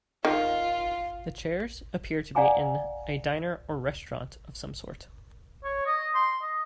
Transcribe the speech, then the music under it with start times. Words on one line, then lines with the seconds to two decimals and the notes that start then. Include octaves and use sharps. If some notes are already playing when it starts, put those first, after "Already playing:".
The chairs appear to be in a diner or restaurant of some sort.
0.25 D#3 F4
2.35 D5 F5 F#5 G#5 A#5 D6
5.64 C#5
5.86 D#5
6.15 C6
6.42 D#5